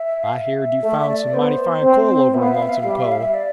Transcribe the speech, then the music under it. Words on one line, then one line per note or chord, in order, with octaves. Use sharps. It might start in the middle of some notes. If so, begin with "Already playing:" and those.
"I heerd you found some mighty fine coal over in Lonesome Cove."
Already playing: E5
F5
E5
E5
A3 E5
E5
D5
B3 C5
C4
B3 E5
F5
E5
F5
E5
F5
E5
G3 F5
E5
F5
E5
F5
E5
D5